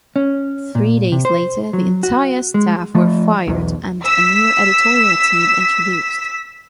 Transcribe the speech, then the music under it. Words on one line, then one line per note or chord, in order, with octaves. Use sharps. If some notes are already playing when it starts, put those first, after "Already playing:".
Three days later the entire staff were fired and a new editorial team introduced.
C#4
A#2
C3
C5
F#3
F#4
G#3
F3 A3
B1 E2
E6 B6